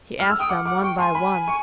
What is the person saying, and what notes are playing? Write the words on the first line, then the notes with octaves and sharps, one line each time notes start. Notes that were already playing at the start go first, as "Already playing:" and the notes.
He asked them one by one.
F6
E6
G5 D#6
F#5 D6
F#5 D6
G5 C#6
G#5 C6
B5
C#6